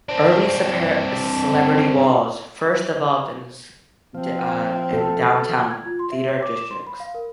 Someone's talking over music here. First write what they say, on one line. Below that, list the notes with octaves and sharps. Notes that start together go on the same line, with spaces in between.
Early celebrity walls first developed in downtown theater districts.
C4 D4
F3 C4
A4
G#6
F4
C6
E5
C#5
D6
E7
C6
B5
F5
A#4